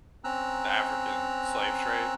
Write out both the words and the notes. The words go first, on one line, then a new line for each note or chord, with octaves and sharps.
the African slave trade,
C4 C#4 A#5 E6 F#6